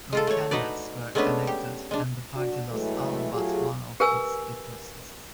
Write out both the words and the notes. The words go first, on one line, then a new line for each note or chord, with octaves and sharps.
No candidates were elected, and the party lost all but one of its deposits.
G#3 F4 A4
A3 C#5
D#4 F#4 B4 D5
G#3 A3 B3 C#4 D4 B4
G4
G#3 D4
D4 F#4
A2 E3 F#3 G#3 A3
F#3 A3 F4 G4 G#4
G4 A#4 B4 G#5 E6